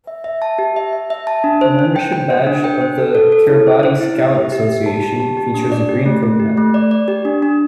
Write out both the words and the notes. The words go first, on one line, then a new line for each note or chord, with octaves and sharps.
The membership badge of the Kiribati Scout Association features a green coconut.
E5
E5
A5
G4
E5
E5
E5
A5
D4
C5
C5
G5
G5
C5
D4
G5
C5
A4
A4
A4
E4
C5
C5
E4
G4
E5
G4
G4
A5
G4
A5
G4
D4
D5
G4
A3
A3
G4
A3
D5
D5
G4
D4
D4